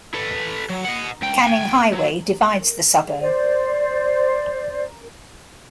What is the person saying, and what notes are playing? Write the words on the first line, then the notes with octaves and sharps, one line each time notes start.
Canning Highway divides the suburb.
A4 B4
F#3
D#5 F#5
C#2 G5
G5 G#5
F#3
C5 D5